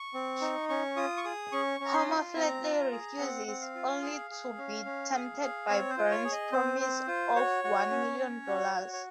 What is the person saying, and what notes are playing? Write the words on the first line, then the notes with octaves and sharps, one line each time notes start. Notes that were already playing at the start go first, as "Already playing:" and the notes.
Homer flatly refuses, only to be tempted by Burns' promise of one million dollars.
Already playing: C#6
C4
D#4
C#4 C#6
F4 D#6
C#6
G#4 D#6
C#4 C#6
C#4 A#5
C6
F4
C4 A#5
F4
G#4
C4 F#5
C4
F5
F4
G#4
G#4
C#4
C#4
G#4
G#4
C4 C#5
C5
F4
C#5
G#4
D#5
C4 C5
C4
F4
F#4 C#5
F#4
C#4
C#4
F#4
F#4
C#5